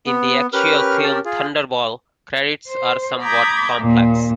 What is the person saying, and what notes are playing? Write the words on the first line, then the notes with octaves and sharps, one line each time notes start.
In the actual film "Thunderball", credits are somewhat complex.
B3
C#4 G4 A#4 B4 F6
A5
F4 G#4
C5
A#5 B5 D6 D#6 G6 G#6
D#2 A#2